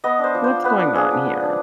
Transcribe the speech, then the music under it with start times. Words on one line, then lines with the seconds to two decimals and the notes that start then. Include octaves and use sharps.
what's going on here?
0.04 B3 D#5
0.19 D4 C5
0.35 F3
0.44 C5
0.50 F3
0.64 B3 B4
0.79 D4
0.95 F3 G#4
1.10 F3
1.26 B3
1.40 D4